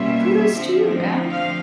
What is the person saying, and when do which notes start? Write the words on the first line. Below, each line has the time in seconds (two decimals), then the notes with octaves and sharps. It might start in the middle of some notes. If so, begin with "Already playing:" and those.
Kudos to you man.
Already playing: B2 G3 A#3 C#4 F4 E5
0.53 D3 F3 A3 C4
1.31 F5